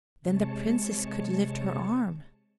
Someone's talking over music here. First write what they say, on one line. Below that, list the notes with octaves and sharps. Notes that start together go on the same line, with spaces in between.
Then the Princess could lift her arm.
C3 G#3 C#5 A5 C#7